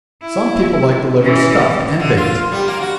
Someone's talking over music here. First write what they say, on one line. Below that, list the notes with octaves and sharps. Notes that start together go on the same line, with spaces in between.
Some people like the liver stuffed and baked.
E4
E3 C#4
D3
F4
G3
A#3
F#4